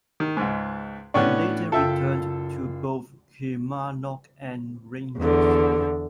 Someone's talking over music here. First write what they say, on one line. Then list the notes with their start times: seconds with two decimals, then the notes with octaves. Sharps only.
He later returned to both Kilmarnock and Rangers.
0.20 D#3
0.37 C#2 G#2
1.14 A2 B3 C#4 D4 G5 C#6
1.72 F#1 F4 A4 E5 G5
5.17 E2 D3